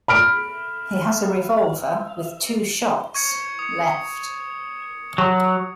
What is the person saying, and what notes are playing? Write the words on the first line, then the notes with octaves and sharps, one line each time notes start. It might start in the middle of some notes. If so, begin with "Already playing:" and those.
He has a revolver, with two shots — left.
B5 F6 D7
C#6 G#6 C#7
D#6 C#7
F#3